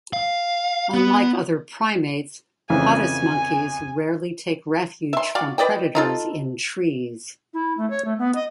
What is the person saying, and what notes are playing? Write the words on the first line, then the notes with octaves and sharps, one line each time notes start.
Unlike other primates, patas monkeys rarely take refuge from predators in trees.
F5
B3
F2 C#3 E3 G#5
E5 C6
F#4 D5 F5
B4 D5 D#5 G5
D#4 F4 A4
E4
A3
C#5
A3
B3
D#5